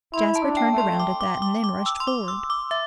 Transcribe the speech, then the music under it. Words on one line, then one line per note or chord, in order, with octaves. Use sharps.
Jasper turned around at that--and then rushed forward.
E4 C6
A5
D4
G5
A3
C6
D6
D6
D6
D6
E6
C6
D6
E6
D6
E5